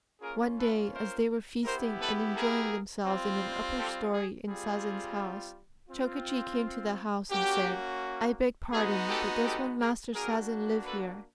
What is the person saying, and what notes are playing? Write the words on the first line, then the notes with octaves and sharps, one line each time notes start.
One day, as they were feasting and enjoying themselves in an upper storey in Sazen's house, Chokichi came to the house and said, "I beg pardon; but does one Master Sazen live here?"
A#3 C#4 F4 G#4 A#4
A4 B4
A#4 C5
B3 E4 G4 A#4 C5
A4 B4
G#4 A#4
G3 C4 F4
G4 A4
G#4
G3 C4 F4 G#4
C4 F4
A#3 C#4 F#4 G4
G#3 B3 D#4 F#4 G#4
G4 A4
G4 A4
G#4 A#4
A#3 D4 F#4 G#4 A#4
A4 B4